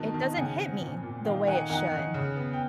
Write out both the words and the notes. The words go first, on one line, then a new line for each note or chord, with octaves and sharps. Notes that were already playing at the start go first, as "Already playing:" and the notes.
It doesn't hit me the way it should.
Already playing: B2 D#3 A5
D#3
C#3 F#5 G#5
C4
A#2
A#2
D#3 F5 G5
D#3 F#5 G#5
D#3 F#5 G#5
D#3
C#3
B3
G5